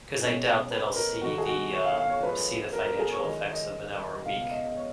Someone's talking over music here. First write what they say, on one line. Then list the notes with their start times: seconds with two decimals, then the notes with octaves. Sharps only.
'cause I doubt that I'll see the, um see the financial effects of an hour a week.
0.20 B1 B2 G#3 C#4
0.71 B4
0.96 A#4
1.21 F1 F2 D#3 F#4
1.38 G#4
1.46 F#4
1.73 C#5
1.84 F5
1.97 F5
2.10 C#5
2.22 F#2 F3 G#3 C#4 B4
2.73 A#4
2.86 A#4
2.99 G#4
3.12 C#5
3.24 F#2 D#3 G#3 C#4 D#5
3.50 D#5
4.26 C#2 B2 G#3 B3 F5
4.38 F5
4.51 D#5
4.64 D#5
4.77 C#5